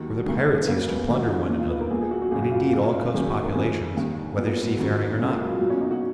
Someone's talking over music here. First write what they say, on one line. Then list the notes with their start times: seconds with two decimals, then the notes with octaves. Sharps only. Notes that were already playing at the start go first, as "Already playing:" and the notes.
For the pirates used to plunder one another, and indeed all coast populations, whether seafaring or not.
Already playing: D#2 D#3 F#3
0.16 F#3
0.26 F1 D#2 D#3 G#3
0.63 B3
0.67 F#1 F#2 C#3 A#3
0.78 B3
0.87 G#3
0.98 G#3
1.08 A#1 G#2 D#3 F#3
1.19 F3
1.29 D#4
1.39 C#4
1.50 A#1 A#2 D#4
1.60 F4
1.70 B4
1.80 A#4
1.90 A#1 A#2 G#4
2.01 G#4
2.11 F#4
2.22 F#4
2.31 F#1 F#2 C#3 G#4
2.42 F#4
2.52 F4
2.62 F4
2.73 F1 F2 C#3 F#4
3.14 F#1 F#2 D#3 G#4
3.43 A#4
3.54 F1 F2 D#3 G#4
3.96 F1 D#2 D#3
4.37 B1 A#2 B3
4.47 A#3
4.58 G#3
4.68 F#3
4.78 F#1 F2 D#3
5.19 F#1 F2 C#3
5.29 A#3
5.35 G#3
5.39 F#3
5.50 F3
5.60 B1 A#2 F#3
5.70 C#4
5.81 D#4
5.91 F#4